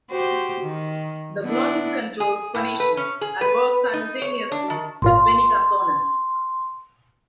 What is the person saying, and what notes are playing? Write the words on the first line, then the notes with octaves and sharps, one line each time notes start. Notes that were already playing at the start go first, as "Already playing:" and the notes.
The glottis controls phonation, and works simultaneously with many consonants.
F#4 G4 C5
D#3
B3 D4 E4
G#4
A2
B4
C#4
G#4
B4
D#4
C#5
D4
D#3
G#1 A#2 F4 C6